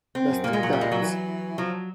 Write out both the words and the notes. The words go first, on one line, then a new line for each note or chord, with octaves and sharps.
Best regards.
C4
F#2
A#2 A#3
G#3
F#3
G3
G#3
F#3
E3
F3 F#3